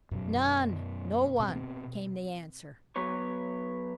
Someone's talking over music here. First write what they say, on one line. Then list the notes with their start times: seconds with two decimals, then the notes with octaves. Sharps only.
"None--no one," came the answer.
0.11 F#2 B2 F#3
1.40 B2 C4
2.96 F#3 B3 B4 C#5